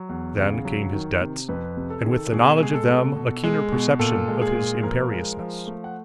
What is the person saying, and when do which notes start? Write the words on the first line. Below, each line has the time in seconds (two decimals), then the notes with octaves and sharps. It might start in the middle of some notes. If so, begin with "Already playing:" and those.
Then came his debts, and with the knowledge of them a keener perception of his imperiousness.
Already playing: F#3
0.09 E2
0.37 C#3
0.65 F#3
0.93 D#3
1.21 C3
1.49 F2 B4
1.77 C3
1.90 A4
2.01 D#3 G#4
2.11 A4
2.32 B2 G#4
2.60 G#3 G#4
2.74 A4
2.88 B2
3.16 B2
3.44 G#3
3.72 B2
3.99 A#2 A4
4.28 G#3
4.42 G#4
4.55 A#2
4.83 F3 A#4
5.12 G#3
5.39 F3
5.67 A3
5.84 F#5